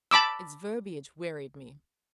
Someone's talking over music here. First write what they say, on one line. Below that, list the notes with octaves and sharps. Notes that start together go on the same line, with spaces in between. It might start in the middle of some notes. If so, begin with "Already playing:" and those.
Its verbiage wearied me.
A5 B5 D6 E6